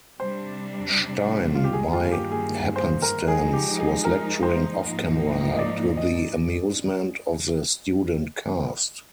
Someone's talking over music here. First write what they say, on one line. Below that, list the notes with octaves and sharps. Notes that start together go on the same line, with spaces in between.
Stein, by happenstance, was lecturing off-camera to the amusement of the student cast.
C3 G3 D4 C5
F4
G4
G2 D#3 A#3 G#4
F4
G4
G#4
C5
A#4
F3 G#3 D#4 G#4
G4
G#4
A#4
C5
G#2 F3 A#3 D#4
D#5
D5
D#5